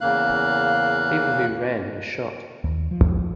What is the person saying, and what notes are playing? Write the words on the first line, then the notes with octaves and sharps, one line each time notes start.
People who ran were shot.
E2 C#3 A#3 F5 F#6
D#2
F3